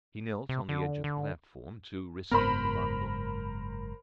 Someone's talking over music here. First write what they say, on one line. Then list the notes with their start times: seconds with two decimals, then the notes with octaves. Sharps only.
He knelt on the edge of the platform to receive the bundle.
0.49 C3
0.69 D3
1.04 D3
2.31 F#1 G#2 B3 A#4 C5 B5